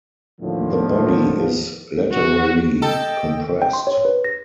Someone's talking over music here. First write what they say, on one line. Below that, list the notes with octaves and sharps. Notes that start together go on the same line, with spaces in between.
The body is laterally compressed.
D#2 A2 D3 F3
F#4
A4 D#5 G5
G5
C6
C#5
B4
A#6